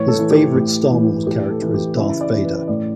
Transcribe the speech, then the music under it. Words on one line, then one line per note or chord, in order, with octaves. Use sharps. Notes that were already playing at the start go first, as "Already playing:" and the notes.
His favorite Star Wars character is Darth Vader.
Already playing: A2 E3 C#5
A4
E3
G4
A2
E3
A2 G4
A4
E3
G4
C#3 E4
D5
E3
B4
A2 D5